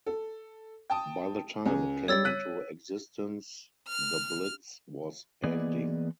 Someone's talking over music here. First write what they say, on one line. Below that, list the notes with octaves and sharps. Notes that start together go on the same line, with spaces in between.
By the time it came into existence the Blitz was ending.
A4
G5 A5 D#6
C#2 G#5
G3 C#5 E6 A6
F#6 B6 D#7
F6
E3 A#3 B3 G#4 D5 D#5